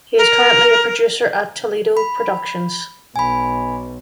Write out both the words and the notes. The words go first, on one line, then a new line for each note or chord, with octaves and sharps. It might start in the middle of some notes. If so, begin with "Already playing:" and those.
He is currently a producer at Toledo Productions.
A#4
B5
B1 G#5 B5